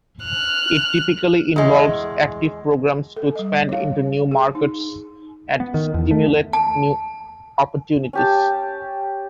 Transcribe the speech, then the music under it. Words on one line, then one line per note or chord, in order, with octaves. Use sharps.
It typically involves active programs to expand into new markets and stimulate new opportunities.
F6 F#6
E2 G#3
A4
G3 D#5
C#5 F5
G#4
D#4
B3
D#3
E2
A3
A5
C#4 G4 A5